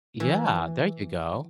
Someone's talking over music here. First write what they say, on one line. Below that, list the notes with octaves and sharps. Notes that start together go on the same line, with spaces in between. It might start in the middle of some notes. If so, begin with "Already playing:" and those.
Yeah, there you go.
E3